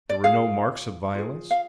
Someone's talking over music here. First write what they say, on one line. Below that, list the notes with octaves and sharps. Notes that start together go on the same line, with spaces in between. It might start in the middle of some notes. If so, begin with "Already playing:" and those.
"There were no marks of violence?"
D5
F4 G#4 F5
F4 G#4
F5